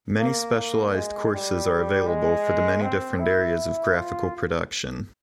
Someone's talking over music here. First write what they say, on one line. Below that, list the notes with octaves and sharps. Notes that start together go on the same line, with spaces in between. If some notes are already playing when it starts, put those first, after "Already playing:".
Many specialized courses are available for the many different areas of graphical production.
A#3
A#3
G#3
G3
G#3
C4
E4
F4